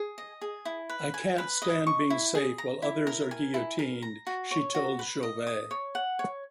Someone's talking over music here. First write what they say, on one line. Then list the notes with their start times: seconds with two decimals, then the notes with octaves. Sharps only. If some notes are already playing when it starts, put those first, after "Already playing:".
"I can't stand being safe while others are guillotined", she told Jouvet.
Already playing: G#4
0.18 D#5
0.42 G#4
0.65 E4
0.90 B4
1.14 G#5
1.38 B4
1.62 D#5
1.87 C#6
2.10 E4
2.35 G#4
2.58 A#5
2.82 E4
3.07 A#4
3.31 G#5
3.54 E4
3.79 A#4
4.03 A#5
4.27 F#4
4.51 C#5
4.75 F#4
4.99 B4
5.23 D#5
5.47 D#6
5.71 C#5
5.95 F#5
6.19 C#5